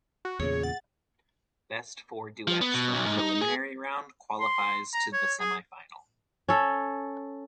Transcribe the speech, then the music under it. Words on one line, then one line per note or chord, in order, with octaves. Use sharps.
Best four duets from preliminary round qualifies to the semifinal.
F#4
E2 A#2 C#3 G#4 C#5
F#5 A6
F3
B3
B2
B1
G#2
D#4
G#4
C6
A#5
C#5
G#4
C#4 A4